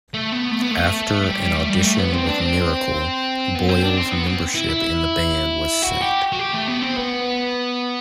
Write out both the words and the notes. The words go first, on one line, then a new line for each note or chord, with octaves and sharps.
After an audition with "Miracle", Boyle's membership in the band was set.
A3
B3
A3
B3
A3
G3
G3
A3
G3
A3
B3
C4
D4
C4
B3
C4
D4
C4
B3
C4
E4
E4
F#4
G4
F#4
G4
A3
B3
C4
B3